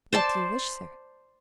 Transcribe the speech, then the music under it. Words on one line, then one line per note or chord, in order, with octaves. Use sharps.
"What do you wish, sir?"
C5 D5 A5